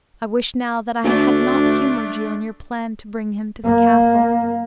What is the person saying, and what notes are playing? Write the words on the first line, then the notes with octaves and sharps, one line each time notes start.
I wish now that I had not humored you in your plan to bring him to the castle.
D2 A3 D4
A#3